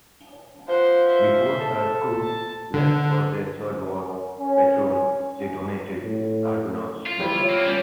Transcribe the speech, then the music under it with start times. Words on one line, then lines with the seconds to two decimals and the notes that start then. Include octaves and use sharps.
Before her crew left for their third war patrol, they donated Argonaut's bell.
0.68 F3 C5 F#5
1.06 C5 E5
1.60 A4
2.23 A5
2.74 D3
3.78 F#2
4.39 C#4
5.10 C#4
6.04 A2
7.06 F4
7.19 G3 E4 E5
7.36 F4 C#5
7.49 A#3 C4
7.67 G3 C#4 F5